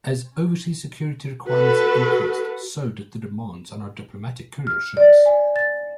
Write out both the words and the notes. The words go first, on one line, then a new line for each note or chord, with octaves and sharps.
As overseas security requirements increased, so did the demands on our Diplomatic Courier Service.
F#4 A4 B4
F6
D5
G#5
A6